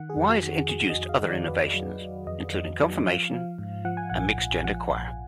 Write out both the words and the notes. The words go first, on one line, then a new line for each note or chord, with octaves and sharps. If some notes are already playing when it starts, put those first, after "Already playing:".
Wise introduced other innovations, including confirmation, a mixed-gender choir.
Already playing: D#3 F#5
G#4
F2
F#4
D#3
F2 G#4
D#5
F2
F5
D#3
D5
F2 B4
F#3
F#3
F2 D#5
F2
F#3
F3 F5
F3
G#2
F3 F#5
G#5
A#1 F#5
A#1
F3 F#5
A#1